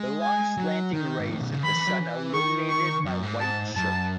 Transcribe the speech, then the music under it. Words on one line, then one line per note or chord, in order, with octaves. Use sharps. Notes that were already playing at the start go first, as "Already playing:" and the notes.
The long, slanting rays of the sun illuminated my white shirt.
Already playing: G#3
G#5
F#3
D#3
G#2
A2
B2
C#3
D#3 B5
E3
F#3
E3
D#3 C#6
C#6
F#2
G#2
A5
F#2 A5